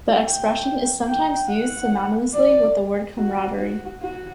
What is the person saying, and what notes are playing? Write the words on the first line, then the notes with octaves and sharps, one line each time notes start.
The expression is sometimes used synonymously with the word camaraderie.
G5
G5
F#5
D5
F#4
F#4
F#4